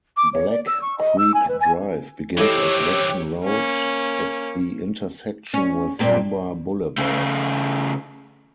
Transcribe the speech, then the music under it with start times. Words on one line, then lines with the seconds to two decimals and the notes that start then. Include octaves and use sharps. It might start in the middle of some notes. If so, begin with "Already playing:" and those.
Black Creek Drive begins at Weston Road at the intersection with Humber Boulevard.
0.16 D6
0.33 C#5
0.49 D5
0.66 E6
0.81 C#6
0.98 D#5
1.18 E6
1.34 G#5
1.48 B4
1.60 G#5
2.38 E3 C4 E4 G4 A4 C#5 D#5 D6
3.44 A#3 C#4
5.54 C#4
5.99 G2 A#2 C4
6.98 C#3 A3